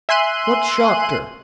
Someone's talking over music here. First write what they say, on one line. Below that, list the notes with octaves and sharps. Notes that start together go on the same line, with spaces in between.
"What shocked her?"
E5 G#5 C6 F#6 D#7